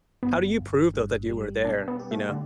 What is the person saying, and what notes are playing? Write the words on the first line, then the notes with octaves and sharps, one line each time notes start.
how do you prove, though, that you were there, you know?
G1 B3
G1
G2
G3
B2 D4
B3
G4
A3
D3